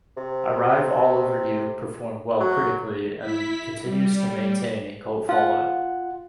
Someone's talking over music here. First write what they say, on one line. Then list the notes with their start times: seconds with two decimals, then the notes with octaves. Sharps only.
"Arrive All Over You" performed well critically and continues to maintain a cult following.
0.17 C3
2.40 F#3
3.19 E4 B6
3.83 G3
5.29 F4 F5 F#5